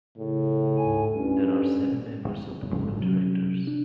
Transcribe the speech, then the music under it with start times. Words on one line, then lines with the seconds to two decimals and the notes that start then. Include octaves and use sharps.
There are seven members of the board of directors.
0.18 A2 C#3
0.77 D2 G#2 G#5
1.15 G2 C#4
2.66 G#2 C#3
2.79 G#1 G#2 D3
2.99 C3 F#3 C#4
3.67 D4